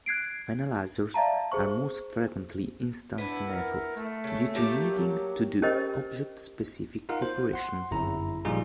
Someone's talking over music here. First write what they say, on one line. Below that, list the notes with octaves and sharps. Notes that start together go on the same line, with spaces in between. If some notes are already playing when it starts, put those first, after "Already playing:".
Finalizers are most frequently instance methods, due to needing to do object-specific operations.
F#6 G#6 C7 D7
D5 E5 F5 A5 A#5
G#4 C5 C#6
B3 D4 E4
A#4
A3
C#3 A4
A#3 G4 A5
F#3
C#4 G4 A#4 C5 D#5 G5
D#4 F4 A#4 F5 F#5
C5
F#5 C6
G1 F#2 E4 A#5
A#2 F3 G3 D#4 F4 G#4